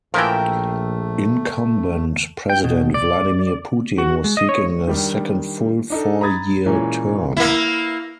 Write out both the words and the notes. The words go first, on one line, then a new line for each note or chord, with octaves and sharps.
Incumbent President Vladimir Putin was seeking a second full four-year term.
A#1 E3 F3 A3 A#4 E5 G5
G5
B2
D5
F#4
G#3
D#5
C#5
D#3 G3 D4
D4 D#4 A4
A#5 B5 D#6 G#6 A6
A#2 E3 G#3 C#4
A#3 E4